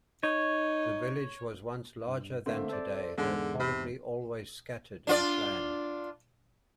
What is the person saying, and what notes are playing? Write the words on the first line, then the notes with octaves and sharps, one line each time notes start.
The village was once larger than today, though probably always scattered in plan.
D#4 C#5
G2
D3 A3 A#3 C4 E5
A4 C5 D5
E2 G#2 D3 G#3
C3 B5
D4 F4 D5